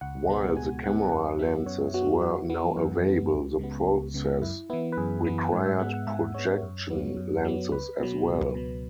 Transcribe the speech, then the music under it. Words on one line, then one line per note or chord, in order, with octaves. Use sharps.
While the camera lenses were now available, the process required projection lenses as well.
C#2 F#5
B2 G#3 B3
C#2 G#5
B2 G#3 B3 F#5
F#2 F#5
F#3 B3 E5
F#2 C#5
F#3 B3 F#4
F#2 F#4
E3 B3
F#2
E3 B3
C#2
C#3 G#3 B3
C#2
C#3 G#3 B3
F#2 E4
E3 B3 E4
B4
F#2 G#4
E3 B3
G#2
E5
G#3 B3 F#5
F#5
G#2 E5
G#3 B3 C#5
F#2
F#3 B3
F#2
F#3 B3
C#2 B4
B2 F#3
C#2
B2 F#3